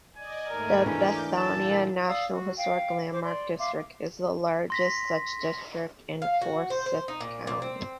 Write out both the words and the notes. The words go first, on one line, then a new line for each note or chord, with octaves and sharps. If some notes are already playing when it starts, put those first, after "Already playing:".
The Bethania National Historic Landmark district is the largest such district in Forsyth County.
D5 D#5 G#5
D#2 G#2 A3 A#4
E3 C#4 D4 B4 D6 G6
A#2 A4 A5
D5 F5 D#6 E6
F#4
F5 G5
C5 D6
D5 C6
E5 F5 C6 D6
C6 A#6 B6
F5
F#4
C5
C5
D#4
A#2
A#2
C4